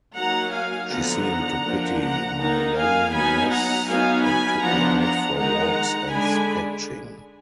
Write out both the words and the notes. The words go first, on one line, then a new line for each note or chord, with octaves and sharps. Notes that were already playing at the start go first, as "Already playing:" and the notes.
She seemed to pity my loneliness and took me out for walks and sketching.
F#3 A#3 D#4 F#5 A#5
F5 G#5
D3 F3 B3 D#4 F#5 A#5
F3 A#3 D4
F#5 A#5
D#3 A#3 D#4 F#5 A#5
F5 G#5
F#3 B3 D#4 G#5 B5
F#5 A#5
F#3 B3 D#4 F5 G#5
G#5 B5
F3 B3 D4 F#5 A#5
F#5 A#5
D#3 G#3 D#4 F#5 A#5
D3 G#3 D4 G#5 B5